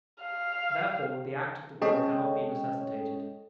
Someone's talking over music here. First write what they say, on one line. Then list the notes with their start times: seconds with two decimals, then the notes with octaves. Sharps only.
Therefore the act of the will cannot be necessitated.
0.22 F5
1.82 G#3 C#4 A4 C#5 D#5 G5